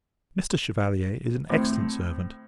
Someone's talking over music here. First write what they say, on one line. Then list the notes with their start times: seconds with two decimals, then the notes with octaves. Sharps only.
Mr. Chevalier is an excellent servant.
1.49 A2 C4